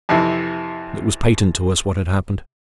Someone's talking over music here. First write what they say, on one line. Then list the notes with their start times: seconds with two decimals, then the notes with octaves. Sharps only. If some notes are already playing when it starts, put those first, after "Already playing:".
It was patent to us what had happened.
0.09 F2 C3 E3